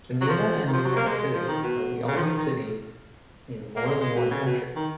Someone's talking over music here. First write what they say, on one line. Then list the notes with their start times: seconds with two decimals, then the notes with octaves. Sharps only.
Geneva and New York City are the only cities in more than one county.
0.21 F#3
0.28 F3
0.67 D#3
0.73 F3
0.85 F#3
0.96 A#3
1.07 G#3
1.18 G#3
1.33 F3
1.48 D#3
1.63 B2
2.07 C#3
2.16 F3
2.22 D#3
2.37 D#3
3.76 A#3
3.86 G#3
4.01 G#3
4.16 B2
4.31 C#3
4.46 B2
4.76 D#3